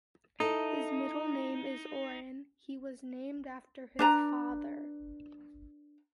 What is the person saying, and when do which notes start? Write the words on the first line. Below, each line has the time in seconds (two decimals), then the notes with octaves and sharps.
His middle name is Orin; he was named after his father.
0.40 D#4 E4 A4
3.99 D4 B4 A#5